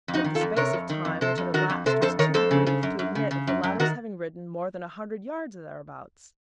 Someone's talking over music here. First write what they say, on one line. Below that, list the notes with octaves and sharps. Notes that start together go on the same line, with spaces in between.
But the space of time which had elapsed was too brief to admit of the latter's having ridden more than a hundred yards or thereabouts.
F2
D#4 F#4
D#3
F4 A4
F2
C3 A#4 C#5
F2
D#3
F2
C3 A4 C5
F2
D#3 F#4 A#4
F2
C3 A4 C5
F2 A4 C5
D#3 A#4 C#5
F2 A4 C5
C#3
C#3
F#2
F#2
C#3
C#3
F#2
F#2
D#3 F#4 A#4